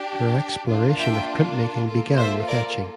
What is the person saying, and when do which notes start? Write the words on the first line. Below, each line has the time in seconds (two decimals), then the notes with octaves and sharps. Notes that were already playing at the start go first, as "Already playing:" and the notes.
Her exploration of printmaking began with etching.
Already playing: D4 G4
0.69 A#3 D4 F4
0.98 E5 G5
1.88 A#3 F4 A4
2.17 C5 E5
2.48 A#4 D5